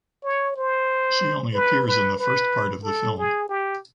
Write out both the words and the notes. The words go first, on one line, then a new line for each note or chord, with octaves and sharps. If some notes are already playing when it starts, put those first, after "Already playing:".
She only appears in the first part of the film.
C#5
C5
B4
B4
B4
A4
G#4
G4